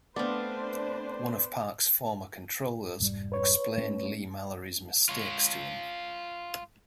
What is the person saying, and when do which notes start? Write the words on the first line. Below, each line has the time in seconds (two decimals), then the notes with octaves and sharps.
One of Park's former controllers explained Leigh-Mallory's mistakes to him.
0.16 A3 B3 C4 D4 B4 C5 D5 F5
3.00 F1 G#2 G3
3.32 B4 C#5
3.78 A3 C#4
5.09 F4 C#5